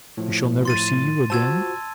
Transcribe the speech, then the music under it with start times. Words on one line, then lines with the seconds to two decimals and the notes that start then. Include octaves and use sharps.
"We shall never see you again?"
0.17 A2 F3
0.65 C6 A6 D#7
1.30 F4 F#4 C5 A5 E6 G#6